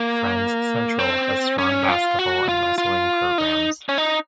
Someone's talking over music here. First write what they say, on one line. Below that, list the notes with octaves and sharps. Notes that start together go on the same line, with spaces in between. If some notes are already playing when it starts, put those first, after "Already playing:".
Friends' Central has strong basketball and wrestling programs.
Already playing: A#3
C4
C#4
F4
F#4
F4
F4
D#4
C#4
D#4